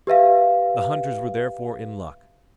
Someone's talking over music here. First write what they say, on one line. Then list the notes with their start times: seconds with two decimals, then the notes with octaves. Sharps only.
The hunters were therefore in luck.
0.07 G4 B4 E5 F5